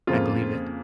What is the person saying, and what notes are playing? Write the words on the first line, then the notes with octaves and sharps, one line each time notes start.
I believe it.
F2 C#3 F3 A#3 F4